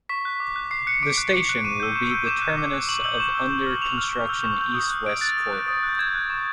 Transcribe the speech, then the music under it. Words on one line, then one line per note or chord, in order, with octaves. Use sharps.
The station will be the terminus of the under-construction East West Corridor.
C#6 B6
F#6
D6
F#6
D6 C7
F#6 C#7
D6 D7
F#6
D6
F#6 D7
C#6 D#7
E6 G6
C#6
E6 G6
D6 E7
F#6
D6
F#6
C#6 F#7
E6 G6 F#7
C#6 E7
E6 G6
C#6
F6
C#6 F7
F6
C#6
E6 G6
C#6
E6 G6
D#6
F#6
D#6 D7
F#6 A6
D#6
F#6
D#6
F#6
G6
C#6 G#6
F#6
C#6